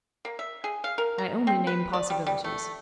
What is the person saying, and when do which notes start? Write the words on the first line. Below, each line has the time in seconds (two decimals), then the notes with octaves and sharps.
I only name possibilities.
0.25 A#3
0.39 E5
0.64 G#4
0.84 F5
0.98 A#4
1.18 A#5
1.47 C4
1.67 B4
1.93 D5
2.10 G3
2.27 G3
2.44 A3